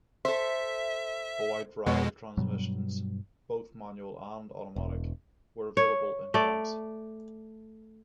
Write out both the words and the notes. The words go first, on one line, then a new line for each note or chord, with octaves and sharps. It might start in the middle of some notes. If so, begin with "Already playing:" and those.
A wide variety of transmissions, both manual and automatic, were available in Champs.
A4 C5 E5
F2 B2 G#3 B3 C#5
G2 B2 F#3 G3
E1
C#5
A3 D5